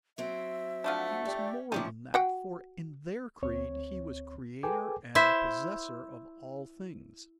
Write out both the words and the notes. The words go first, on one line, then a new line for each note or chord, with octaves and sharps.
He was more than that, for in their creed he was creator and possessor of all things.
F#3 C4 E5
F3 A3 D4 F#5
C#4 G4 D5
D#2 A2 F3 C#4 D#4 G4 D5
F#4 F#5 G5
D2 C4 C#5
G#4 A4 B4 G5 G#5 D6
E4 C5 E5